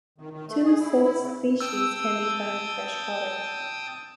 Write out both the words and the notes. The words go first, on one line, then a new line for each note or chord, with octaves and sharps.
Two subspecies can be found in freshwater.
D#3
D#3
A3
G#4
E4
E4
C#3
G5 A5 D#6 E6